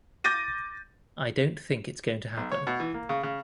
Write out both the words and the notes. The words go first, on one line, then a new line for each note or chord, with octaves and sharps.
I don't think it's going to happen.
D6 G6 A6 A#6 D#7
B1
C#5
B2
E3
A#3
C#3
C#3